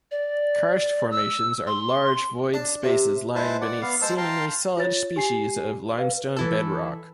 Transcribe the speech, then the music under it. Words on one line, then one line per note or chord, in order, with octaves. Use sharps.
Karst formations are large void spaces lying beneath seemingly solid species of limestone bedrock.
D5
E6
C6
D4
C3
G#3 E4 B4 C5 A5
D5 F#5
B3 F5
G#3 C5 A5 E6
F5 G5 A5 A#5 C6
F4 C#5 A6
G4 G#5 C7
B4 F5
E3 E4 A4